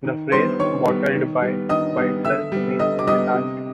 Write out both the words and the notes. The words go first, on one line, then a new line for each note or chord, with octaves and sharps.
The phrase "bottled by", by itself, means only that.
D#3
G3 B3 C5 C6
D#3 C#5 C#6
G3 B3
D#3
G3 B3
D#3 D#5 D#6
G3 B3
D3 E5 E6
G3 B3
D3 D#5 D#6
D6
G3 B3 D#5 D#6
C3